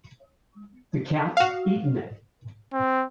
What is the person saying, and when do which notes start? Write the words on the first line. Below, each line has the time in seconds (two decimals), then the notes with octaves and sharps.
The cat's eaten it.
1.37 F#4 F5
2.73 C4